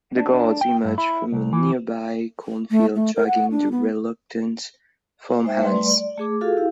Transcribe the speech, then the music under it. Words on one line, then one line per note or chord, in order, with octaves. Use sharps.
The guards emerge from a nearby cornfield dragging the reluctant farmhands.
D4
D4
G5
G2
E4
C2
E3
A3
A3
A#4
F#5
D4
B3
G#3 D#4 C5 E5 G5
G3 A3 B4 D5 C6
D5
A3 G#4 D6
F4 F#4 G#4 A4 F5
E4 G4 F5